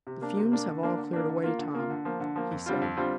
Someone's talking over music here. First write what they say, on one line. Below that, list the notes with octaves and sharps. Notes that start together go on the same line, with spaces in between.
"The fumes have all cleared away, Tom," he said.
C3
A#3 D4
C3
A#3 D4
D3
A#3 D4
D3
A#3 D4
D3
A#3 F4
D3
A#3 F4
D3
F3 A#3
D3
F3 A#3
F2
D3 G3 C4 F4
F2
D3 G3 C4 F4